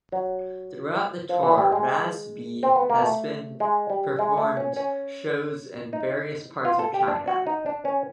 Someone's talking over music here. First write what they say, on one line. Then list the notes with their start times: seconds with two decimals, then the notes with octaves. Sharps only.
Throughout the tour Raz B has been performed shows in various parts of China.
0.12 F#3
1.29 F3
1.43 E3
1.58 G3
1.72 G#3
2.63 C4
2.76 B3
2.90 A#3
3.02 A3
3.60 G#3
3.90 G3
4.19 G#3
4.38 A3
4.57 C#4
4.76 C#4
5.93 D#4
6.65 F4
6.79 A4
6.94 G4
7.08 D4
7.28 F#4
7.47 D#4
7.66 D4
7.85 C#4